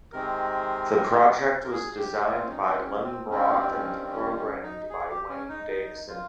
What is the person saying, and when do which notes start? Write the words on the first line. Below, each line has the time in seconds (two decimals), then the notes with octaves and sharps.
The Project was designed by Lynn Brock and programmed by Wayne Davison.
0.12 C3 D#3 G#3 C4 A#4
1.64 A#4
1.71 G#4
1.98 G4
2.25 F4
2.35 C4
2.43 C#4
2.50 D#4
2.66 C4
2.77 C#4
3.03 C4
3.30 G2 D#3 G3 C4 C#4
3.71 C#4
4.02 C4
4.10 C#4
4.36 C#4
4.62 D#4
4.90 G#4
5.10 G4
5.29 C#4
5.49 D#4
5.69 D#4
6.08 F4